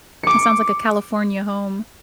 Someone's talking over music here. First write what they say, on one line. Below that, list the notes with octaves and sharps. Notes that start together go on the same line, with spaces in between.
It sounds like a California home.
D6 C#7